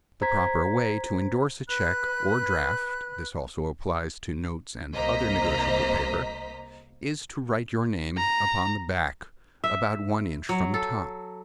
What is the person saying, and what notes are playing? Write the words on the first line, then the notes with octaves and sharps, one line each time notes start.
The proper way to indorse a check or draft--this also applies to notes and other negotiable paper--is to write your name upon the back about one inch from the top.
C5 A#5 G#6 B6
B4 B5 F#6
C2 A#3 C5 D#5 A#5 B6
A#5
E5
F#3
A4